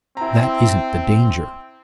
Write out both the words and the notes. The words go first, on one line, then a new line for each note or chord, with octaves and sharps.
That isn't the danger.
C4 E4 A#5